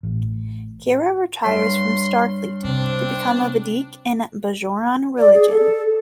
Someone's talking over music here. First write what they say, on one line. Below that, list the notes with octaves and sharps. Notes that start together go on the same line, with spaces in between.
Kira retires from Starfleet to become a vedek in Bajoran religion.
A1
G2 C#5 C6 B6
C3 C4 D4
D5
G#4
A4